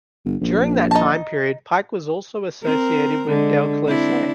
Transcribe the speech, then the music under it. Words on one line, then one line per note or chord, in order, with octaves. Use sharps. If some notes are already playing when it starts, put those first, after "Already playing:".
During that time period, Pyke was also associated with Del Close.
G1
A#1
D#4 A5
C4 A#4
D3 G#3
C4 D4 E4